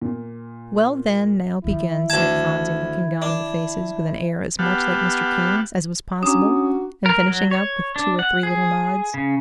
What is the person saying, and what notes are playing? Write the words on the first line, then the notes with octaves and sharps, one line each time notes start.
"Well, then, now begin," said Phronsie, looking down on the faces with an air as much like Mr. King's as was possible, and finishing up with two or three little nods.
A#2
D#3 F3 E4
D2 A5 G#6
D4
B3 G4 F5 F#5 A5
C#4 D4 F#4 A#5 D#6
A#4
F#3
C#5
D4
F#5
G#4
C#3